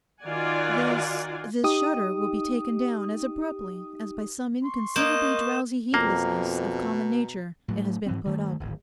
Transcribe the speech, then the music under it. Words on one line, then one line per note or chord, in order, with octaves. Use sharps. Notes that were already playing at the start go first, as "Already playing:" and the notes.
This--this shutter will be taken down as abruptly as by some inconceivably drowsy heedlessness of common Nature it has been put up.
D#3 F4 F#4 D5 F#5 G#5
D#4 G4 D#6
C6 C#6
A#3 D#5 G6 E7
F2 B2 A#3 A#5
A2 F#3 A3
G#2 E3 C4
G2 D#3 A3
D1 G#1